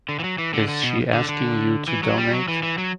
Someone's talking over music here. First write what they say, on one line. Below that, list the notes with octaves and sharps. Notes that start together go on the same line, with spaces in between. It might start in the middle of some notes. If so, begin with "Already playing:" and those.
Is she asking you to donate?
D3
E3
F#3
E3
D3
D3
B2
D3
D3
E3
F#3
G3
F#3
E3
E3
F#3